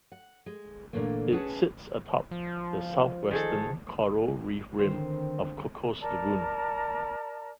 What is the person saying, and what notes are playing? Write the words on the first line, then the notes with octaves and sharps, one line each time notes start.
It sits atop the southwestern coral reef rim of Cocos Lagoon.
F#5
G#3
A#2 D3 E3 A3 A#3
C#4 G#4 B4 F#5 A5
F3
D#3 G#4 A4
D3 D#3 C4 C5
A#4 D5 A5 A#5